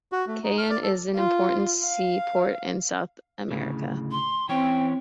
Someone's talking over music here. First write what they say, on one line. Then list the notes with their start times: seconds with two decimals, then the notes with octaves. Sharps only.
Cayenne is an important seaport in South America.
0.12 F#4
0.27 A3
0.44 D#4
0.58 F6
0.70 D5
0.82 A4
1.16 F4
1.85 F5
3.51 D2 A2 C#3
4.11 C6
4.49 E3 C4 C#4 C#5 G5